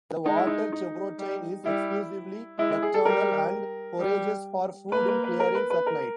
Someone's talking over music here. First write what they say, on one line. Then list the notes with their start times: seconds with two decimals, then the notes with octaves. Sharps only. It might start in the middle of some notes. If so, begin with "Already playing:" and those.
The water chevrotain is exclusively nocturnal, and forages for food in clearings at night.
0.26 G#3 D#4
0.37 E4
0.47 D#4
0.72 D#4
1.19 G3
1.65 G3 E4
2.59 G#3 E4
2.71 E4
2.82 G#4
2.94 A4
3.05 G3 A#4
3.99 G3
4.92 A#3 B4
5.09 B4
5.24 B4
5.40 A#4
5.55 B4
5.70 B4
5.86 A#4